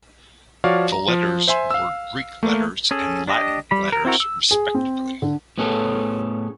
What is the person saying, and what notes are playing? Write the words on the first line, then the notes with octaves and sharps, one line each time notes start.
The letters were Greek letters and Latin letters, respectively.
F3 F#4 C#5 D5 F5
A#5
F3
C5 E5 G#5 C6
F5 E6
A3 A#3
C#4 G#4 A4
D4 G4 D#5
G3 B5
A#4
C4 E4 F#4 A#4
E6
G#4
C4
D3
A2 B3 C#4 G#4 A4